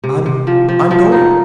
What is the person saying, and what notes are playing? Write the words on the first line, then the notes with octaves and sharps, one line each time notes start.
I'm--I'm going!
C3
C3
F3
F3
F3
D#4